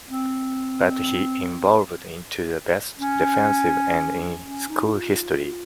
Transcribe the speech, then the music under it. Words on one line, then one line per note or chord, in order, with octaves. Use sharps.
But he evolved into the best defensive end in school history.
C4
C#4
C#4
D#4
F4